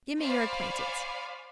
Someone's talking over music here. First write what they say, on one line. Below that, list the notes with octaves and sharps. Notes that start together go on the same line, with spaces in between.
Give me your acquaintance.'
C5 D5 F5 G#5 B5 C#6